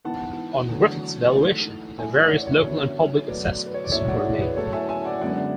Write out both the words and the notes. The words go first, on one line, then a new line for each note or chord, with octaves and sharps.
On Griffith's valuation the various local and public assessments were made.
G#2 E3 B3 F#5 A5
E2 D3 F#3 A3
G#2 E3 A3
A2 E3 A3 E5 G#5
D5 F#5
C#5 E5
C#5 E5
F#2 D3 F#3 B3
B2 F#3 A3 B4 D5
B4
C#5
D5
A2 F#3 A3 C#5 E5
D5 F#5
E4 G#4
G#4 B4
A2 F#3 A3 A4 C#5
E5 G#5
E5 G#5
D5 F#5
F#2 D3 G#3 B3 D5 F#5